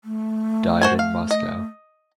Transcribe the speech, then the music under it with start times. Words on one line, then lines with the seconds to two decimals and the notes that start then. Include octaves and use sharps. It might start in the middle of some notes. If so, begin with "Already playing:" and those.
Died in Moscow.
0.04 A3
0.81 F#4 C5 G#5
0.99 F5
1.31 D#5